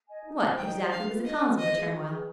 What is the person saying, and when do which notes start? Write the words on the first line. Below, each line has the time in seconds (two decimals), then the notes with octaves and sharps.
What, exactly was the cause of the turmoil?'
0.08 D#5 G#5
0.25 D#4
0.41 G4 C5
0.58 D#4 G5
0.75 G4 C5
0.91 D4 F5
1.08 F4 B4
1.24 D4 D#5
1.41 F4 B4
1.58 F4 D#5
1.74 G#4 B4
1.91 F4
2.09 G#4 B4